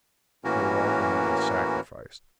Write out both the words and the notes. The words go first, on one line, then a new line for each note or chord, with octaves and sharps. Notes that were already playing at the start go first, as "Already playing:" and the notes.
They were all going to be sacrificed.
A2 E3 A#3 C#4 F#4 A#4